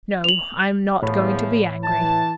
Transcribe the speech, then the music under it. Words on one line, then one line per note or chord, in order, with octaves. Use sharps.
No, I am not going to be angry.
F7 F#7
E2 A2 F3 C#5 B5
E3 A5